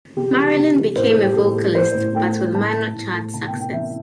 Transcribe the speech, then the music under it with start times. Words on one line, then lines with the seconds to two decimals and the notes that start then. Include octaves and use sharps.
Marilyn became a vocalist, but with minor chart success.
0.16 C3 G4
0.36 E3 G4
0.56 C3
0.76 E3
0.96 A2 C5
1.09 A4
1.15 A2
1.22 G4
1.35 A2 A4
1.55 A3
1.75 A2 C5
1.95 A2
2.15 A3 G5
2.34 A3
2.54 A2 A5
2.74 A3
2.94 A2
3.13 A3
3.34 C3 A5
3.47 G5
3.53 C3
3.60 G5
3.73 E3 E5